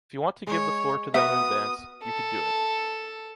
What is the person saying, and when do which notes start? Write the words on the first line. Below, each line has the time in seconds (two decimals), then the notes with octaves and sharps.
If you want to give the floor to them in advance, you could do it.
0.47 G#3 C#5
1.14 B3 F#4 A#4 E5 D#6
2.04 A4